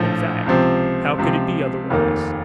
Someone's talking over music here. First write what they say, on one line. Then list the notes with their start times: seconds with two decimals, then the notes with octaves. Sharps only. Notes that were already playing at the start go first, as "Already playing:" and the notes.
In fact, how could it be otherwise?
Already playing: A#1 A2 F3
0.46 C#2 C3 F3 C4
1.18 C#2 C3 F3 C4
1.90 F1 D#2 D#3 A#3